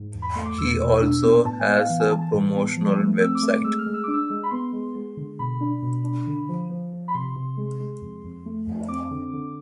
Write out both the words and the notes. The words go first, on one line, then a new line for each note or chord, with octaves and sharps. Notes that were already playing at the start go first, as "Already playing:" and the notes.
He also has a promotional web site.
Already playing: G#2
E2
B5
A3 C6
D6
E2 E6
B2
D4
B3
A2 A5
G#5
B3
F5
E3 F5
G#5
E3 A5
A5
A2
B3
F3
A3
C4 E6
D6
A3
D6
G#3 E6
F6
G#3
E6
D4 D6
E6
G#3
B5
B3 C6
G#3
G#3
D3
B2 B5
D4
B2
D4
D3
F3
F3
F3
B5
C3 C6
C3
G#3
G#3
F2
F2
A3
F2
C4 D6
D3
D3